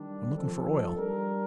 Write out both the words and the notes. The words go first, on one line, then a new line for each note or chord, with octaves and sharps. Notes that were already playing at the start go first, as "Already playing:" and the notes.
I'm looking for oil.
Already playing: D#3 G3 D4
F3 C4 D#4 A4
G3 D4 G4 A#4